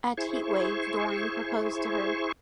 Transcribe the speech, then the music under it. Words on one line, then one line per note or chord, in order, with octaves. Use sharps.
At Heat Wave, Doring proposed to her.
E4 G#4 C5 C#6